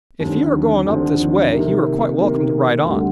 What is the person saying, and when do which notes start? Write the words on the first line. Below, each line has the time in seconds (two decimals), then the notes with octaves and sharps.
"If you are going up this way, you are quite welcome to ride on."
0.19 D#2 D3 F3 C4
0.86 D#2 D3 F3 C4
1.52 C3 D#3 A#3
2.18 C3 D#3 A#3
2.84 D2 D3 G3